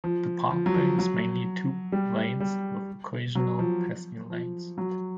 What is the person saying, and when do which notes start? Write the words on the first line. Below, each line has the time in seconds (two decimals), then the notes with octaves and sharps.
The parkway is mainly two lanes with occasional passing lanes.
0.04 F3
0.51 F3
0.66 F#3
0.74 F3
0.99 F#3
1.92 G3
2.40 G3
3.35 F#3
3.59 F3
4.30 F3
4.78 F#3